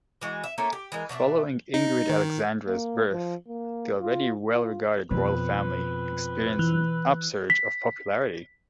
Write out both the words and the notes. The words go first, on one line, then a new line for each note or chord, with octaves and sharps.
Following Ingrid Alexandra's birth, the already well-regarded royal family experienced an upsurge of popularity.
E3 G#3 F#4
E5
A3 A#3 C#4 E4
G4
E3 G#3 A#4
B2 D4 F#4 E5
D#4
D#3
A#3
F3
A#3
F4
F4
F2 B2 B4
E3 F#6
B6